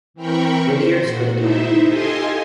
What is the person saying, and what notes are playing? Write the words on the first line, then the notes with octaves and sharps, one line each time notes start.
Villiers for the time being.
E3 C4 A#4 G5 B5 C#6
C5
A#2 F#4
D#4 E4 C5 E5
F4 G4 A4 D#5 G#5 C6